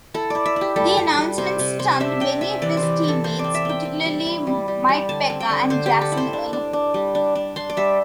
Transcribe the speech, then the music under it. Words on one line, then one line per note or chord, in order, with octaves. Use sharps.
The announcement stunned many of his teammates, particularly Mike Peca and Jason Woolley.
E4 A4
E4 D5
E5
E4
G4
G3 A4
G3
G3
C3 C5
C3
C3 C5
D4 E5
C3 G5
C3 E5
E3 D5
C5
E3
E3 A4
E3 C5
D5
C4
E5
C4 G5
C4
G3
E4
G3
G3
G3
D3 A5
C4
G5
D3
D3 C5
G4
D3
A4
E4
C5
D4
D4
D4
G3
D4
D4
D4 C6
D5
G3 E5